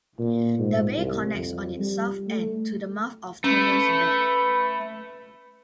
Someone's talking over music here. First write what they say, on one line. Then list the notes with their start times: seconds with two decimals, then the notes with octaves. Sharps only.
The bay connects on its south end to the mouth of Tomales Bay.
0.19 A#2
0.59 G#2
0.97 C2
1.34 F2
1.79 G3
2.28 A3
3.44 A3 C#4 B4